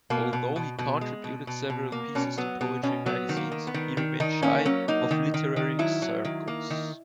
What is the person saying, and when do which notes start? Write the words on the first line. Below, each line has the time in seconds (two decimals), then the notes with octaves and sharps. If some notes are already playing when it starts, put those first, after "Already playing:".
Although he contributed several pieces to poetry magazines, he remained shy of literary circles.
0.10 B2 A#3
0.33 B2
0.56 B2
0.79 B2
1.01 G#3
1.24 B2
1.47 B2
1.70 B2
1.92 A#3
2.15 B2 C#4
2.38 F#3 B3
2.61 B2 B3
2.83 B2 C#4
3.06 F#3 B3
3.29 D#3
3.37 A#3
3.52 D#3
3.67 B3
3.74 D#3
3.97 D#3
4.20 D#3 D#4
4.42 A#3 C#4
4.65 F#3 C#4
4.88 A#3 D#4
5.11 D#3
5.34 D#3
5.56 D#3
5.79 F#3 E4
6.02 F#3
6.25 D#3
6.48 A#3
6.70 D#3